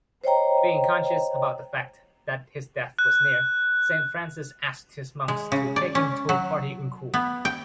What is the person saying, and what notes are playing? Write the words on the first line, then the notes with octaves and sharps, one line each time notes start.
Being conscious about the fact that his death was near, St Francis asked his monks to take him to Portiuncula.
C5 C#5 D#5 G5 A#5
F#6
G#3
C#3
D5
C#4
F#3
B3
G5